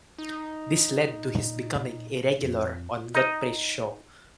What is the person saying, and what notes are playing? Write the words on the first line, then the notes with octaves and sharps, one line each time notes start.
This led to his becoming a regular on Godfrey's show.
D#4
A#2
F2
D#4 D#5